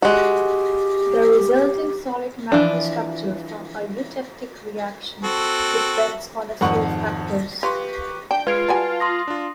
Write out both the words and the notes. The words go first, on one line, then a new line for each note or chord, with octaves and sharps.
The resulting solid macrostructure from a eutectic reaction depends on a few factors.
G#3 F#4 G4
E3 F3 D4
C4 F#4 A4
G#1 F2 G#2 F#5 C#6
F4 G4 B4 C#6
D4 G5
G#3 F4 B4 G#6 D7
G3 F#4 G#5 A5
C6 D#6 A#6
D4 F4